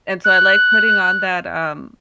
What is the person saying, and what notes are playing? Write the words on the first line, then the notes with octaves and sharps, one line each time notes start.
And so, I like putting on that, um,
F#6